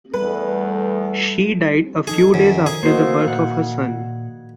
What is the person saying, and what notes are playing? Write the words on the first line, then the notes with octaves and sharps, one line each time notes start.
She died a few days after the birth of her son.
E2 G3 A3 B3 A4 B4
F3 D#4 G#4 A4
F#2 D#3 D#4
G#4
A3 A#3 F#4 C5 D#5
A#2 F#5